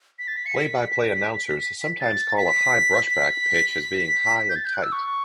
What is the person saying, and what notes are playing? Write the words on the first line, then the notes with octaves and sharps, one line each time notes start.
Play-by-play announcers sometimes call a high brushback pitch as being high and tight.
B6
A6
B6
C#7
B6
B6
A6
B6
B6
G6
A6
G6
F#6
E6
C#6